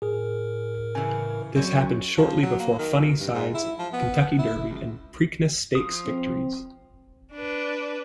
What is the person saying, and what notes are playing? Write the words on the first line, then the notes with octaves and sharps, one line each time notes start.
This happened shortly before Funny Cide's Kentucky Derby and Preakness Stakes victories.
A2 G#4 A#4
C#3 E3 G#5
F#2 C4 C#4 C#5
F3
F#3
A#3
D#3
F2
G2
G#2
E4
F3
B3
E4
C#2
F3 D#6
C4
D4 B4